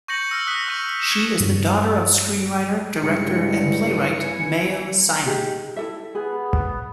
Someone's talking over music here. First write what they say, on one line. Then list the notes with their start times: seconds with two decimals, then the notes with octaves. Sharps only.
She is the daughter of screenwriter, director and playwright Mayo Simon.
0.08 C#6 G6 A#6 C#7 F#7
0.31 E6 F6 A#6
0.47 D#6 E6 F#6 B6
0.68 C#6 F#6 D#7 F#7
1.11 G#6 D#7 E7 G7
1.40 G2
3.03 G2 C#3 G3 G#3 E4 C#7
4.24 B3 G#5
5.24 D#4 G4 G#4
5.76 E4 A4 E5
6.15 B3 G#4